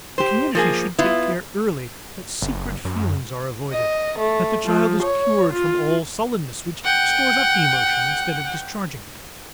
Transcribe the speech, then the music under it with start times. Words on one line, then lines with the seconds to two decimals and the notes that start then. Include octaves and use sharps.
The community should take care early that secret feelings are avoided, that the child is cured from all sullenness which stores up the emotion instead of discharging it.
0.18 G4 C5
0.55 F3 A#3 G#4
0.99 B3 E4 F4
2.42 F#1
2.85 F#2
3.73 D#5
4.18 A3
4.65 F3
5.01 C#5
5.52 F4
6.84 F#5 G5